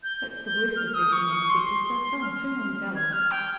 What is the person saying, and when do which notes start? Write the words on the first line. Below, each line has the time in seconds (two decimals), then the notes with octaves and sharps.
That's the worst of these new inspectors, they are so infernally zealous.'
0.03 G6
0.76 F6
0.94 D#6
1.13 C#6
1.30 C#6
1.49 C6
2.22 F6
2.95 G#6
3.13 F6
3.31 G5